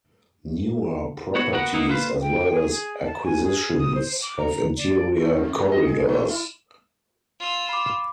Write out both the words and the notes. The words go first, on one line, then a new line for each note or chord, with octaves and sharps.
Newer properties, as well as acquisitions, have interior corridors.
B3 F#4 C#5
B3 F#4 A#4 F#5
A#3 B3 D#4 E4
A#3 F4 B4 C5
G5
G#4
G#4
A5
G#5
G#4
D#6
C5
D6
A#5
D5
A3
F2
A2
D#5
G#4
A3
E4
F4 E6
B5 D6